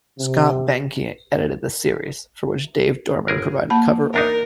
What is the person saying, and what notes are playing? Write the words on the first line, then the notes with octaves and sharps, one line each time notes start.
Scott Behnke edited the series, for which Dave Dorman provided cover art.
C3
G1 G#4 A#4
A#3 A5 B5
E2 D4 D#4 A#4